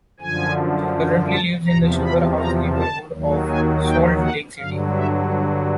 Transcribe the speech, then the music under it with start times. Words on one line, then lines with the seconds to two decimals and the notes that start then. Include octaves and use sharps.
She currently lives in the Sugar House neighborhood of Salt Lake City.
0.20 F#2 D3 F3 G#5
1.29 A5
1.67 E2 C3 F3 A#5
2.02 B5
2.39 A#5
2.76 A5
3.12 D#2 D#3 F#3
3.49 G#5
3.86 G5
4.22 F#5
4.59 G2 D3 F#3 F5
4.96 E5